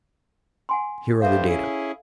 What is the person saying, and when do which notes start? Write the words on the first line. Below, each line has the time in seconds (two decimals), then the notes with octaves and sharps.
Here are the data.
0.69 F#5 G#5 C6
1.22 G2 G3 A4 C5 E5 F5
1.47 C#4 E4 G#4